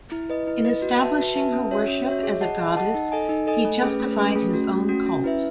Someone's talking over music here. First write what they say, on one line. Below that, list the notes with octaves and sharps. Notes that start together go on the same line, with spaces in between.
In establishing her worship as a goddess he justified his own cult.
E4
B4 D#5
E4
B4 D#5
F#4
B4 E5 A5
F#4
B4 E5 A5
C#4
F#4 C#5 E5
C#4
F#4 C#5 E5
G#4
D#5 F#5 A5
G#4
D#5 F#5 A5
D#4
A4 D#5 G#5
D#4
A4 D#5 G#5
A3
C#4 G#4 B4
A3
C#4 G#4 B4
A3
C#4 F#4
A3
C#4 F#4
C#4
E4 B4 E5